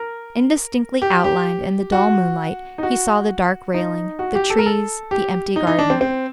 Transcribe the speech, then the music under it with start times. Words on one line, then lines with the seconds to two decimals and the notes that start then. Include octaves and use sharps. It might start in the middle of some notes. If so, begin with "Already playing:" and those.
Indistinctly outlined in the dull moonlight he saw the dark railing, the trees, the empty garden.
Already playing: A#4
1.02 G4
1.24 G4
1.92 F#4
2.78 D#4
2.83 F#4
3.74 D#4
4.19 F#4
4.35 G4
4.50 A4
4.58 A#4
4.66 A4
5.11 G4
5.56 D#4
5.67 D#4
5.79 D4
5.90 C4
6.01 C4